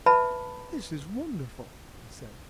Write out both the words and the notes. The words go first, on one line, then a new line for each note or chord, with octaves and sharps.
"This is wonderful," I said.
B4 E5 A5 B5